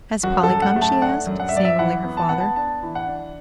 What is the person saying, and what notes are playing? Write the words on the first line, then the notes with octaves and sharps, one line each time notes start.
"Has Polly come?" she asked, seeing only her father.
F#2 F#4
A4
F#2
F#5
A3
A5
D4 F#5
F#2
F#5
E5
F#2 D5
E5
E3 F#5
B3
A5
B3 F#5
A5
D4 A5
E3
F#5
D4